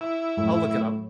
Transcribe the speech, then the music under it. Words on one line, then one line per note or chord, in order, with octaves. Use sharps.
I'll look it up.
E4
F#2 A2